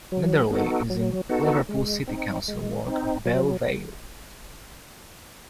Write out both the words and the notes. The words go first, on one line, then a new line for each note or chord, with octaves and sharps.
Netherley is in Liverpool City Council ward of Belle Vale.
F#3
B3 D#4 F#4 A4
F#3
B3 D#4 F#4 A4
G#3
C4 D#4
G#3
C4 D#4
F#3